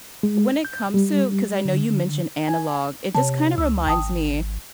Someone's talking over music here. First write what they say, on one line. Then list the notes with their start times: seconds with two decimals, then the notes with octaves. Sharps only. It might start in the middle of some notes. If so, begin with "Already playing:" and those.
when it comes to 'cause I know you mentioned analog, it just kinda reminds me,
0.23 G#3
0.65 G6
0.94 G3
1.65 D3
2.48 G#5
3.15 C3 C#5 A5
3.58 C#2 E6
3.87 G#1 G5 A5 D#6